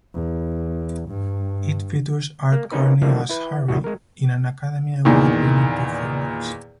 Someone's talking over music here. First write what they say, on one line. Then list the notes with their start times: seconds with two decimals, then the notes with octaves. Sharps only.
It features Art Carney as Harry in an Academy Award-winning performance.
0.15 E2
1.09 G2
2.52 A#3
2.72 C3 A#3 C#4 D#4 B4
3.01 D3 E3 F3 G3 A3 A#3
3.29 E4 B4
3.68 A#1 E2 A2 F#4
3.84 G#3 A#4
5.05 E2 A#2 D#3